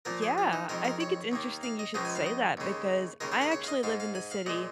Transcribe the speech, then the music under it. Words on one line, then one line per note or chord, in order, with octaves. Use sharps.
Yeah. I think it's interesting you should say that because I actually live in the city,
A#2 F3 A#3 A#4
G#4
F4
D#4
F2 D#3 G#3 A#4
A#4
C#5
D#2 D#3 A#3
F5
D#5
C#2 C#3 F3 G#3 D#5
G#5
F5
D#5
D#2 C#3 G#3
D#2 C#3 G#3 A#4
G#4
A#4
C#5
F5
D#5
G#2 G#3 F5
F5
G#5
F5
A#2 G#3 D#5